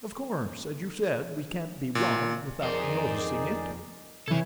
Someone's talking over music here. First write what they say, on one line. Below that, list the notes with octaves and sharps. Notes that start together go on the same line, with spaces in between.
"Of course, as you said, we can't be robbed without noticing it."
A#2
F2 D#4 G#4 A#4 C5 D5 D#5
C3 E3 E4 A4 C#5 G#6